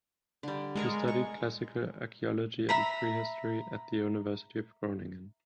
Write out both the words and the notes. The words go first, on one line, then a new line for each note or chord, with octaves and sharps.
He studied classical archaeology and prehistory at the University of Groningen.
D3 G3
G#3 A4 A#4 C#6
C#6
E5 A#5 B5